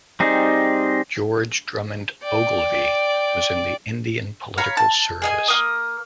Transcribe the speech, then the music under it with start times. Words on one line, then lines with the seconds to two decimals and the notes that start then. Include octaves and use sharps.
George Drummond Ogilvie was in the Indian Political Service.
0.20 G3 C4 D#4 G#4
2.23 D5 G5
4.58 C#5 F5 A#5 B5
4.77 A5
5.22 G#4 D#5 G#5
5.48 A#3 D#6